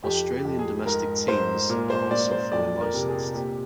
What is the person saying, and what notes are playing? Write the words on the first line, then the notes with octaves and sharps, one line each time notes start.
Australian domestic teams are also fully licensed.
F2 G4
G4
F2
G#4
G#2 A#4
G#2 C5
A#2 A#4
C5
A#2 D5
C5
F2 D5
A#4
C3
G#4
A#2 G4